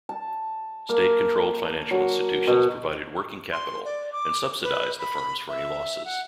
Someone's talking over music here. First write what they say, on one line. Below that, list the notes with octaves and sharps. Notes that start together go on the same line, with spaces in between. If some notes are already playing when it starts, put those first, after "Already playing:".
State-controlled financial institutions provided working capital and subsidized the firms for any losses.
A5
A#3
F#3
B2
C6
D5
D6
B4
B5
E5
F#5